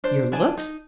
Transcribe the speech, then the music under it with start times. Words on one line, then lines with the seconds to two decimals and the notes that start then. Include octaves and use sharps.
"Your looks?"
0.04 D4 C5
0.32 D4 D5 G#5 A5
0.57 D#4